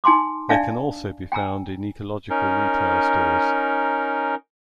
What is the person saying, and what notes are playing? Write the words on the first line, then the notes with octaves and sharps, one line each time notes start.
They can also be found in ecological retail stores.
D#4 G#5 A5 C6 D6
D4 D5 E5 F5 G#5 A5
G5 G#5 A#5 E6
C#4 D#4 A#4